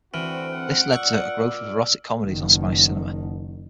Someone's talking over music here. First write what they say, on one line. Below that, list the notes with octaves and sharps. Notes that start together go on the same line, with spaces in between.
This led to a growth of erotic comedies on Spanish cinema.
D2 E3 C4 F#4 F6 D7
F#5
A#2 F4 D5 C#6 E6
F#1 D#3